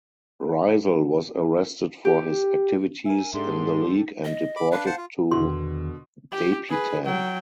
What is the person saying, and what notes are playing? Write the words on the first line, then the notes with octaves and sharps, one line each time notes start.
Rizal was arrested for his activities in the league and deported to Dapitan.
G4
A#4 E5 G#5
G#2 D4 G4 A4 C6
D#5
B5 D6
D4 B4 F5
C5 F#5 A5
F4
E2 B2 D3 D#3 C6
G4
G#4 B4
F#3 G5